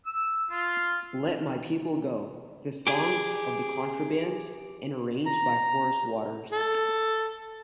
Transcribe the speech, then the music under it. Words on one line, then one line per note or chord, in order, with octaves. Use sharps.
Let My People Go: The Song of the Contrabands, and arranged by Horace Waters.
E6
F4
G4 G#4
A#5
A4